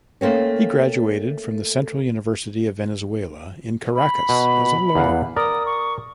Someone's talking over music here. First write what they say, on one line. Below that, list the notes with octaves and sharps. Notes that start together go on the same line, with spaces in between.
He graduated from the Central University of Venezuela in Caracas as a lawyer.
A3 A#3 C4 C#4
B5
B2
E2 F5 F#5
A#4 D5 D#6
C#6